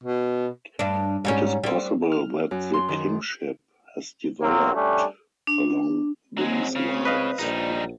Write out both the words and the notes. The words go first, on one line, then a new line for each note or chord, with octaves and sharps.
It is possible that the kingship has developed along these lines.
B2
G2 D4
G#2 G3 C#4
G3 C4
F6
F#2
C6
D#3
F#3 A#3 C4
G3 A3 C#4 D4
D4
C#2 F#3 G#3 C4
C#3
B4 D#5 F5
A#1 G3 D#4